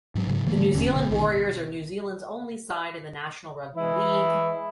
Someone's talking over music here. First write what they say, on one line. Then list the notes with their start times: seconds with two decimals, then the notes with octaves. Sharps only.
The New Zealand Warriors are New Zealand's only side in the National Rugby League.
0.15 G#2 F#3
0.27 G#2 C#3 F#3
0.47 D3 E3 A3 A#3
0.74 D#1 E2 D3 C#4
0.96 A#1 B2 D3 B3
1.10 B1 B2 D#3
3.76 E3 G#3 E4